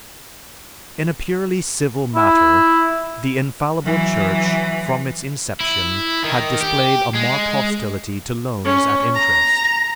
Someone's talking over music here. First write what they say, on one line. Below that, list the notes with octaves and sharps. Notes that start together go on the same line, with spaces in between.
In a purely civil matter, the infallible Church from its inception had displayed a marked hostility to loans at interest.
E4
E3 F#3
E4
D#3
G4
G#3
C#4
A#5